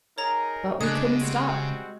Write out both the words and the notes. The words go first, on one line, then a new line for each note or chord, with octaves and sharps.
But we couldn't stop.
D#4 G#4 A#4 C#5 A#5
C#3 G#3 D4 D#6 F#6
G3 C4 F#4